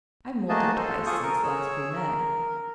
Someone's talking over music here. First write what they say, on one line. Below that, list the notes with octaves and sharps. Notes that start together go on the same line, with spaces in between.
I've moulted twice since last we met.
A3 A#3 F#4 G#4 D#5 A5
A4 C5
F4 G#4 A4 C#6 D#6
A#4
G#4 C#5 E6
A#4